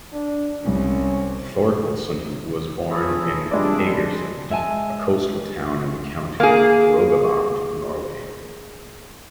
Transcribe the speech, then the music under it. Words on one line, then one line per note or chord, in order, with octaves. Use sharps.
Thorkelson was born in Egersund, a coastal town in the county of Rogaland, Norway.
D4
C2 C#4
E4 F4 G#4 A4 B4 C#5
C3 F3 G3 G#3 D4 D5
G#3 E5 F5 G#5 A5
A#3 G#4